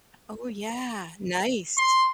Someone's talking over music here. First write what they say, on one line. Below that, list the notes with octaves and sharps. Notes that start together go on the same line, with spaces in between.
oh yeah, nice.
C6